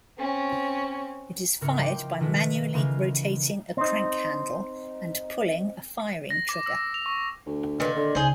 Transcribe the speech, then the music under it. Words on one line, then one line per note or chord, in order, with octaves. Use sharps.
It is fired by manually rotating a crank handle and pulling a firing trigger.
C4 C#4
G#2 C#3 G#3 E4 A#4 C#7
F3 G5 D6
B2 D#3 G#3 A3
C#3 E3 F3 G#3 F4 A#4
C4 D#4
A#6
D6
E6
F7
C#6
D2
A#2 D#3 B4
D3 D5
C#2 G#2 G#4 C5